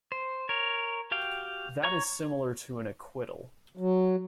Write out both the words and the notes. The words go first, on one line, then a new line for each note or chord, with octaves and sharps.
That is similar to an acquittal.
C5
A#4 C#5
F#4 G4 F5 G5
C#5 A#5 C#6
F#3